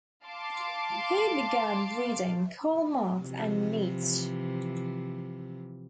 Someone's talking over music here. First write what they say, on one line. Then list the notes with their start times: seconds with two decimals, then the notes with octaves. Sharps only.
He began reading Karl Marx and Nietzsche.
0.25 F5 A5 C6 D6
3.21 C3 E3 F3